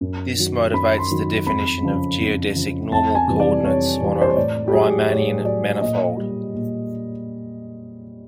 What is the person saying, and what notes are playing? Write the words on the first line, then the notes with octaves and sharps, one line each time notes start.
This motivates the definition of geodesic normal coordinates on a Riemannian manifold.
F#2
D#3 F#3
F#2 B5
C6
D#3 F#3
F2 B5
C#3 F3
F2
C#3 F3
F2 A5
G#5
C3 E3 G3
D5
F2 C#5
C3 E3 G3
C5
C#5
A2 D5
G4
F#3 G#4
A2 C#5
F#3 D5
A#2 D#5
G3
A#2